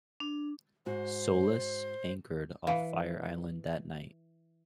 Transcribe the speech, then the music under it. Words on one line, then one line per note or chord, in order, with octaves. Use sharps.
"Solace" anchored off Fire Island that night.
D4
G#2 F#4 C5
E3 F5